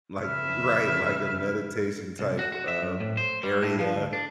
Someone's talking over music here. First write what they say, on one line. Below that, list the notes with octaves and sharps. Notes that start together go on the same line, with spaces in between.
like you Right, like a meditation type, um, area
F2 C#3 B4 E5 F6
C2
F#4
F#4
E5
F#2
A2
C5
G3
A2
F3
D2
D4